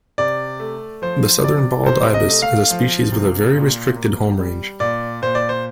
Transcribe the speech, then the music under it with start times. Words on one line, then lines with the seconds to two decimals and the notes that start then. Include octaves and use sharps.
The southern bald ibis is a species with a very restricted homerange.
0.18 C3 D5
0.60 A3
1.02 F3 C5
1.44 C3 D5
1.86 C3 C5
2.14 D#5
2.28 A3
2.42 F5
2.70 F3
3.12 C3
3.55 A#2
3.96 A#3
4.39 G3
4.80 A#2 D5
5.22 A#2 C5
5.35 D5
5.49 C5